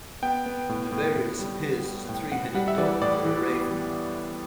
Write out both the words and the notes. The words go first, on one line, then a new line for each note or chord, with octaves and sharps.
Naberius appears as a three-headed dog or a raven.
B3 G5
B3
A2
A2
A2
G3
B3
G3
A2 G5
A2 F#5
G3 F#5
E5
E3 D5
A2 D5
E3
B3
E3